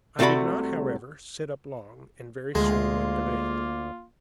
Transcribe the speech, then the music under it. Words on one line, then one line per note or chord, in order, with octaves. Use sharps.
I did not, however, sit up long, and very soon went to bed.
C2 C3 A3 F#4 D5 B5
D2 G#3 A#3 F4